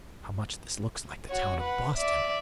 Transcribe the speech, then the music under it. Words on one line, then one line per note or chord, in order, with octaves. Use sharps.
How much this looks like the town of Boston!
F#4 C#5
B4 F#5
D5 E5